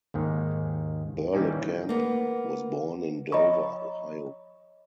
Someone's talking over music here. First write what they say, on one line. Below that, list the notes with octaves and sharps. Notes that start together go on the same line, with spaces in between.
Berlekamp was born in Dover, Ohio.
D#2 G#2 D#3
D#3 E3 G3 A#3 C#4 D#4
A#3 B3
C#5 D#5 A#5 B5 C#6